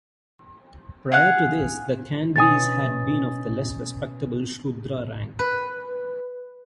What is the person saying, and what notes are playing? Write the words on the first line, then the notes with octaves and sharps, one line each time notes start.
Prior to this, the Kanbis had been of the less respectable Shudra rank.
G#4 F5 F#5
B2 C#4 G#5 D#6 A6
B4